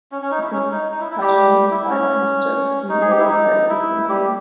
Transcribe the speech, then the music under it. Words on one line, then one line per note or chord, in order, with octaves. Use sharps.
A concussion sidelined Stokes in the early part of his campaign.
C#4
C#4
D#4
E4
C#4
D#4
D#4
E4
E4
G3 G4
E4
C#4
D#4
G#4
G4
E4
D#4
E4
G3 G4